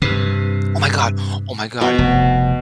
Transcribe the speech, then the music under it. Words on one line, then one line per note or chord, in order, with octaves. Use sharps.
Oh my god. Oh my god.
G2 C3 B4
B2
F1